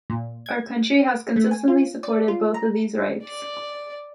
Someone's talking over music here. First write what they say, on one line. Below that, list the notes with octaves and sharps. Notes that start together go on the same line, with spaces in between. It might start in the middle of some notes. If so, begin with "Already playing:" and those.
Our country has consistently supported both of these rights.
A#2
G#6
D7
A3
G#5
F4
D5
F4
A#5
D5